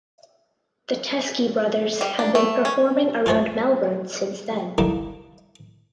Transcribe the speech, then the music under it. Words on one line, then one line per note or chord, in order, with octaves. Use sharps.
The Teskey Brothers have been performing around Melbourne since then.
G3
D4
A3
C#4
F4 F#4 G#4 C5 C#5
D3 G3 A#3 D#4 E4